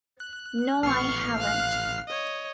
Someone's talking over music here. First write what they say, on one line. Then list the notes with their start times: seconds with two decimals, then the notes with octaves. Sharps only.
No, I haven't.
0.20 F#6
0.83 A1 B3 C#6 F6 C7
1.38 F5 F#6
2.07 C#5 D#5